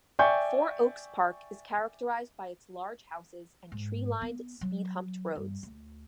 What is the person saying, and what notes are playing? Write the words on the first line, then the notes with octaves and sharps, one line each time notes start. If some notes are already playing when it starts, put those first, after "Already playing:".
Four Oaks Park is characterised by its large houses and tree-lined, speed-humped roads.
D5 E5 G5 G#5 C#6 G6
G#2
B3
F#3
G2
D2